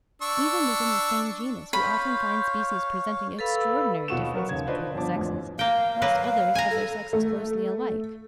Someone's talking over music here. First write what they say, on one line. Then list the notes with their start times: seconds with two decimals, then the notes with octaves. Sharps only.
Even within the same genus we often find species presenting extraordinary differences between the sexes, whilst others have their sexes closely alike.
0.22 D4 C#6 E6
1.73 C#5 F5 B5 C6 G6
3.39 A4 B4 F5 B5 E6
4.08 D#2 B2 F4 F#5 C#6 E7
4.34 F#3 A#4 B4 F#5 C#6
4.49 D#2 C#3 G#6
4.67 D4 F4 B4 C5 D5 D#5
4.95 G1 F3 B3 A5 D6
5.16 A1 F2
5.59 A#3 F5 G5
6.02 F#3 A#3 B4
6.55 G#5 A#5
6.71 A4
7.13 A3